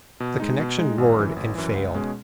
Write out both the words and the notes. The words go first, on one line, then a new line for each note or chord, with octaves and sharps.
The connection roared and failed.
B2
G#3 D#4
B2
G#3 D#4
G#1
F#2 E3
G#1
F#2 E3
C#2
B2 G#3 C#4 G#4